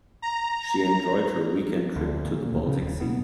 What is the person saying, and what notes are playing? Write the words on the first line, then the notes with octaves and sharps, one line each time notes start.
She enjoyed her weekend trip to the Baltic sea.
A#5
D2
A#2
D2
C#3
D#1
B2